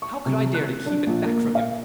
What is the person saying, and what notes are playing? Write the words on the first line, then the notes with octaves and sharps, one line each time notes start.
How could I dare to keep it back from him?
C#6
C3
F#6
D4
A#1
A#3
F5